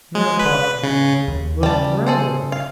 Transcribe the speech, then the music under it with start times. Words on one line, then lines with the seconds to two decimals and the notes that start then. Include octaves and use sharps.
Mere pocket money! Look at the railroad!
0.15 G#3
0.39 B4
0.83 C#3
1.28 D#2
1.63 C#3 G3 A5
2.06 G#4 A4 C5
2.52 F5